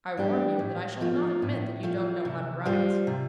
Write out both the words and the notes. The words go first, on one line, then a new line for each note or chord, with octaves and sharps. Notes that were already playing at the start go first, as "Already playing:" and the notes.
"I warn you that I shall not admit that you don't know how to write."
G3 D4 G4
A2
F3 A3 F4
A2
F3 A3 F4
C3
G3 F4 C5
C3